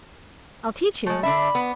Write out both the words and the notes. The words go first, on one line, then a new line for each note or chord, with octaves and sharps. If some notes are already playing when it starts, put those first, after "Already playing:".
"I'll teach you."
G#3 A3
D3 D4 E5 B5
B3